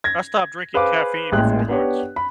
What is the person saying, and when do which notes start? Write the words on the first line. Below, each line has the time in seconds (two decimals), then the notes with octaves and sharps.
I've stop drinking caffeine before lunch.
0.04 G#6 A#6
0.74 G#4 B4 C5 F5 D6
1.32 A1 A#2 G#3 G5 F#6
1.69 B3 D4 G4 B4 C#5
2.16 B5